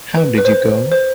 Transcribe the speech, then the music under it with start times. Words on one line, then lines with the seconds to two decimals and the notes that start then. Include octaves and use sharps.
How did you go?
0.17 B4
0.38 B4
0.45 C5
0.92 C5